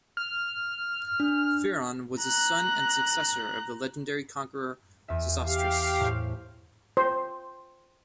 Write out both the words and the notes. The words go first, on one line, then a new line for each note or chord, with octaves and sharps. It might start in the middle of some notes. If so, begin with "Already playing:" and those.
Pheron was the son and successor of the legendary conqueror Sesostris.
F6
D4
A#5 F#6
E2 E5
G4 F5
A2 C5
C5